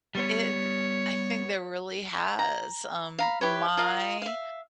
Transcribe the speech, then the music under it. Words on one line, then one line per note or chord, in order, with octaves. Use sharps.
It th I think there really has, um, my
G3 B3 C#5
A#5
F5 A#5 B5
E4 G4 B4 C#5
F4 A#4 D#5 F5
E5 F5